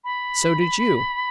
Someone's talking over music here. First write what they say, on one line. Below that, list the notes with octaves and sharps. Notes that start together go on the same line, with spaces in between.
So did you.
B5